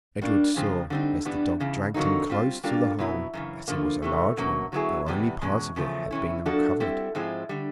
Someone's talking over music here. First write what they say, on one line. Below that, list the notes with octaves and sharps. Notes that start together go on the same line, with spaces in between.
Edred saw, as the dog dragged him close to the hole, that it was a large one, though only part of it had been uncovered.
G3 A#3 D4
F2 C#3 F3 G#3 C4
D3 G3 C4 D#4
G2 E3 G3 B3 D4
E2 C#3 E3
F2 D3 F#3 A#3 D#4
G3 C4 F4
G3 A#3 D4 F4 A4
B2 F#3 B3 E4
F#2 C#3 E3
G2 D3 F3 A#3
C3 E3 A3
B2 F#3 A#3 C#4
D3 F#3 B3 E4 G#4
E2 C3 E3 G3 B3
E2 B2 G#3 C#4
E2 C#3 F3 A3
C3 E3 A3 C#4 E4
F3 A#3 D4 F#4 A4
G3 C4 E4 A4
G#2 F3 G#3 C4 E4
D3 G3